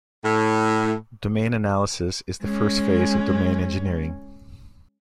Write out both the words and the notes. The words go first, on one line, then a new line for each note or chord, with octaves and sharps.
Domain analysis is the first phase of domain engineering.
A2
G#3 C#4